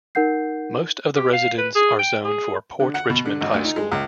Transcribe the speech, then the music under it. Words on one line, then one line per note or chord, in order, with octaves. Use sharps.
Most of the residents are zoned for Port Richmond High School.
D#4 A#4 F#5 G6 C7
G4
F5
B4
G#4
G5
G#4
D3
F#5
B2
D3
G#1
D2
D#4
G#3
C#2